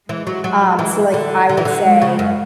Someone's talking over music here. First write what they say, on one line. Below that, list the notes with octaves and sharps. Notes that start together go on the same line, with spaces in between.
Um, so like, I would say
E3 G#3
F#3
F#3
E3
D3
D3
E3
D3
G#3
C#3
F#2